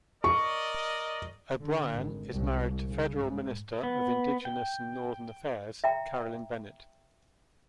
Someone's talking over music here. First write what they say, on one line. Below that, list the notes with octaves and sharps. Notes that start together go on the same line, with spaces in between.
O'Brian is married to federal Minister of Indigenous and Northern Affairs Carolyn Bennett.
A#4 D5 D#5 C#6
D3
G#1
C2
C#3
G#2
B3
G5
E5 G5 A#5